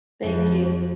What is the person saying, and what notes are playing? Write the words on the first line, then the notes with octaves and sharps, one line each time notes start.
Thank you.
F2